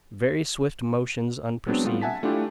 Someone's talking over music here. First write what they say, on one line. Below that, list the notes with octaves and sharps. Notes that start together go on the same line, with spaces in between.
Very swift motions unperceived.
F#3 G#3 B3 C4 D4
G3 A3 B3 F4
E5 F#5 G#5 A5 B6
A3 D4 E4 F4 G4